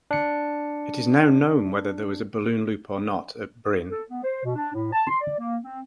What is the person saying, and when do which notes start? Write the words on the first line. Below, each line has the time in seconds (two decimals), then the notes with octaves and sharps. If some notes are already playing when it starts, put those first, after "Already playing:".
It is now known whether there was a balloon loop or not at Bryn.
0.11 D4 C#7
3.90 A4
4.10 B3
4.24 C5
4.44 B2
4.55 D4
4.74 A2
4.93 A5
5.08 C6
5.21 D5
5.39 A#3
5.63 C4